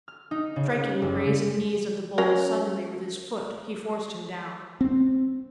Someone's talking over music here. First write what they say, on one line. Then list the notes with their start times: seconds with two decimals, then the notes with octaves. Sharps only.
Striking the brazen knees of the bull suddenly with his foot he forced him down.
0.08 F6
0.31 D#4
0.56 C#3
1.02 F#1
2.18 F#3 C#4 A#4
4.81 C4